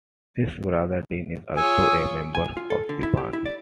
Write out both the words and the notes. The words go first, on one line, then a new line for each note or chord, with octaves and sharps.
Ed's brother Dean is also a member of the band.
F4 G#4 C#5 G#5 E6
G#5
F4
A4
D3
E4
G4
E4
D5